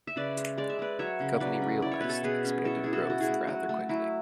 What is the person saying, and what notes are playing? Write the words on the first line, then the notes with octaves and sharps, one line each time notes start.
The company realized expanded growth rather quickly.
E5
C#3 B4 D5
G#3
G#3 D5
E5
G#3 B4 D5
F#3 C#5 E5
C#3
F#3 B4 D5
C#4
E4 D5
C#5
B2 B4
A4 C#5
B2 G#4 B4
C#4
E4 A4 C#5
E4 G#4
F#4 A4
E4 F#4
E4 G#4
A3
F#3 F#4
A3
F#3 E4